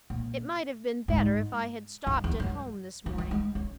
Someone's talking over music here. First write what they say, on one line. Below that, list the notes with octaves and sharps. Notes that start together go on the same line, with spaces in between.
It might have been better if I had stopped at home this morning.
A#2
G#2
F#2
E2
F#2
E3
E3
G#3
C#4